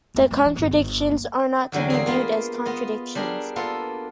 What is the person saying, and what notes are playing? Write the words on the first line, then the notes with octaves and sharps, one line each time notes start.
The contradictions are not to be viewed as contradictions.
E2 A3
F1 G#3
E3
G1 D#3
G1
A#3
E2 D3 F#3 G3 G#5
A#3 C4 G#4
A#3 B3 F4 A#4
B3 F4 D#5
G3 D4 G#4 A#4
A#3 B3 F4 A4